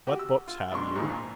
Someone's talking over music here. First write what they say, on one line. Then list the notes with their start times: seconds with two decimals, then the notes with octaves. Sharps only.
"What books have you?"
0.07 F#4 G4
0.19 E6
0.48 F4
0.71 F2 B2 G#3 D4 C6 C#6
0.96 A#1 D#2 G#2
1.09 A#2